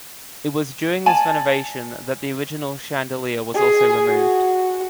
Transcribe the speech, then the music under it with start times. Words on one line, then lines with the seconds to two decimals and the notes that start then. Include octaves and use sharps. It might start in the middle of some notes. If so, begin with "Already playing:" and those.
It was during this renovation that the original chandelier was also removed.
1.06 D5 G#5 A5
3.55 G#4
4.08 F#4